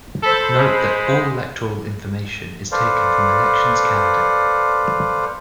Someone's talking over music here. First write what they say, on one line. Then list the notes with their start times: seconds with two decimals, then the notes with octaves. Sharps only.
Note that all electoral information is taken from Elections Canada.
0.23 A4 C5 B5
0.59 G#3
2.72 A4 B4 C5 D5 F5